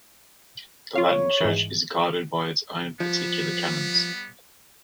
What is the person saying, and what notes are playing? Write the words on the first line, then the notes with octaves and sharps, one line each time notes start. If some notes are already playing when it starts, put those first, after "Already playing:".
The Latin Church is guided by its own particular Canons.
F4 C#5 F5
G#2 E3
F3 G3 B3